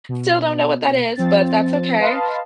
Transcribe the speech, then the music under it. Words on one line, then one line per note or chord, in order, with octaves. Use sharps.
still don't know what that is, but that's okay.
B2
F3 C4 A6
B4 D#5 F5 A5 C6